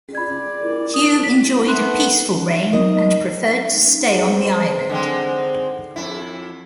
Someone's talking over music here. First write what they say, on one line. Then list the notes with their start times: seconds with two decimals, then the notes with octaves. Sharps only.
Hugh enjoyed a peaceful reign, and preferred to stay on the island.
0.15 D5 B5 G#6
0.94 D#6
1.23 B6
1.67 A3 B3 B5 C6 F#6
2.50 C#5 E5
2.73 F#3 D#4 A#4 D#5
4.21 C4
4.89 D3 G#3 C4
5.96 F2 G#2 E4